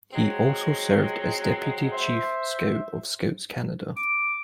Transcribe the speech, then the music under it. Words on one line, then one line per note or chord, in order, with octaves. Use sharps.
He also served as deputy Chief Scout of Scouts Canada.
F#3 G#3 C4
C5 E5
D6